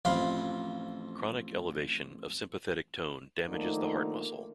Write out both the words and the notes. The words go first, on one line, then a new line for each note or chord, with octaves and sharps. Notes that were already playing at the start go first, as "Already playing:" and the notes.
Chronic elevation of sympathetic tone damages the heart muscle.
A1 F2 F5 B5 C6
D3 D#3 F3 A3 A#3 D#4